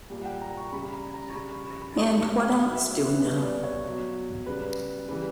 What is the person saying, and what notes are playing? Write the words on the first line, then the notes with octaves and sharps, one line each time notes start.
And what else do we know?
A#2 G3
F#5
G5
A#5
C#6
C#3 G3 B5
A#5
A#5
C#6
C#3 G3 B5
C#6
B5
B5
B2 G3 C#6
B5
G5
B2 F#3 F#5
E5
C#5
B4
B2 G3 B4
D5
C#5
B2 F#3
C#3 G3 B4
C#3 E3 G3 B4